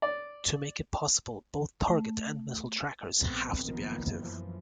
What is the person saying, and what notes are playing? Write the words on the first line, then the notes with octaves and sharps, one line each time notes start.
To make it possible, both target and missile trackers have to be active.
D5
A3
A#1 G#2 A3 B3 C4
F#1 D#3 F3 A#3 B3
F#2 E3 F3